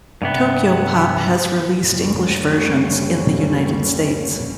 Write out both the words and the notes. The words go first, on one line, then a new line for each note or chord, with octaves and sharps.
Tokyopop has released English versions in the United States.
G2 C3 B3
F#1 D2 D3 G3 A#3 C#4